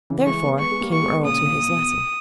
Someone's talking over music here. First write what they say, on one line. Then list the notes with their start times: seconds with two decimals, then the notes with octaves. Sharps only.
Therefore, came Earle to his lesson.
0.10 C#3 E3
0.26 E3 G#3 C#6
0.42 G#3 B3
0.59 G#3 B3 C#6
0.71 G#3
0.81 G3 A#3
0.92 C#6
1.03 G#3 B3
1.24 A#2 C#3 D#6
1.47 A#2
1.68 B2